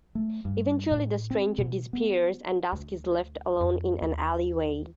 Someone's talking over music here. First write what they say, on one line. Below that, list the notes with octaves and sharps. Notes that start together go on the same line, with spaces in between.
Eventually, the stranger disappears and Dusk is left alone in an alleyway.
A3
G2
A2
C4
B2
B3
D2
F2
D#2